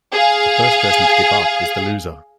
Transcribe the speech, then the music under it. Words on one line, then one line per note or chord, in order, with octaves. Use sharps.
The first person to give up is the loser.
G#4 F5